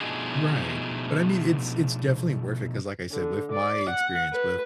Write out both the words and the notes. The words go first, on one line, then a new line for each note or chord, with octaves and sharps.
Right. But, I mean, it's it's definitely worth it, 'cause, I said, with my experience with,
B2 F3 A3 D4 D#4 G#4
D3
D5
F#5
B4